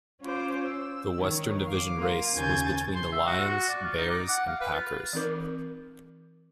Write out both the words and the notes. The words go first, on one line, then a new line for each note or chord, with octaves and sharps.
The Western Division race was between the Lions, Bears and Packers.
C#4 F4 C5 C#5 D6
E6
D#3 C#5
F5 D6
A#3 F4
D#2 C#3 G#5 G6 A6
C6
E5
F#4
F#4
D5
F4
D#4
D6
F#5
F5
B4
F4
E3 C4 D#4 A#4 D6